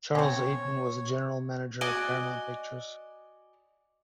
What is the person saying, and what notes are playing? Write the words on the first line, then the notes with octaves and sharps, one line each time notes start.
Charles Eyton was the General Manager of Paramount Pictures.
B2 C4 C#4 C#5
F#4 D5 D#5 G#5